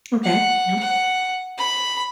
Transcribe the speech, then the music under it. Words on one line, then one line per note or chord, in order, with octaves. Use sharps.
Okay, yep.
F#5
F#5
B5